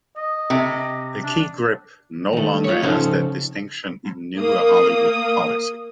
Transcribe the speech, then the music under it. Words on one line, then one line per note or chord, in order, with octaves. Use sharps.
The key grip no longer has that distinction in newer Hollywood policy.
D#5
C3
D4
D#3 A3
F4 C#5
C#3 F3 C#4 D#4 A4 C5
A#3 D#6